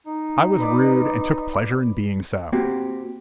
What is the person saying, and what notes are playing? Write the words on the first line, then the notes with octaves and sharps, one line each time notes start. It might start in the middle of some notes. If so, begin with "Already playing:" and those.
I was rude and took pleasure in being so.
D#4
B4 D5
A#3 C4 F#4 G4